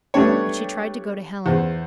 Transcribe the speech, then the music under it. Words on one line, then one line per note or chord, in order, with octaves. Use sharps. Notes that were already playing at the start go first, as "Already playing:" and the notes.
But she tried to go to Helen.
G3 A3 B3 D4 G4 C#5
E2 C5